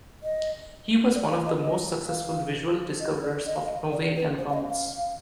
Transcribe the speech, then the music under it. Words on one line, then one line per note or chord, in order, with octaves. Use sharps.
He was one of the most successful visual discoverers of novae and comets.
D#5
D5
F5
D#5
D#5
F5
D#5
D5
D#5
F5
D#5
D5
B4
C5
F5
D#5
F5